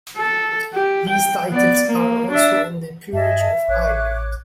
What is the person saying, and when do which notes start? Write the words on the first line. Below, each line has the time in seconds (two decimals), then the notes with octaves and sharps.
These titles are also in the Peerage of Ireland.
0.17 A4
0.74 G4
1.09 G5
1.50 B3 D5
1.86 A#3
2.31 D4 E5
3.13 G2 G#4 D#5 E5 A5
3.68 A1 C#5 D6 F#6